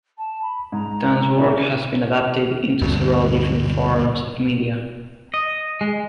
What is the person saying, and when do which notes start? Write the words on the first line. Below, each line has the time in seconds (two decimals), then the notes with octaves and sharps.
Tan's work has been adapted into several different forms of media.
0.18 A5
0.42 B5
0.72 G#2 A#5
1.37 A#2 D#3 E5
2.82 D2 G2 B2
5.34 D#5
5.81 G#3